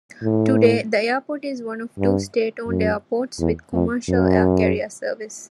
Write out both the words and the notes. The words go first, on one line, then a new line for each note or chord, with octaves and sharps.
Today, the airport is one of two state-owned airports with commercial air carrier service.
A2
G2
F#2
E2
F2
F#2